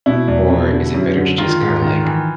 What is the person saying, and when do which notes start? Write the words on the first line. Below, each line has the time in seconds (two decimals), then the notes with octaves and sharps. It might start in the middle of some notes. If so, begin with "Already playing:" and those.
or is it better to just kinda, like,
0.06 B2 E4
0.28 E2
0.50 B2
0.73 D3
0.94 F#2
1.16 D3
1.38 D#3 F4
1.61 G#2
1.82 D#3
2.05 E3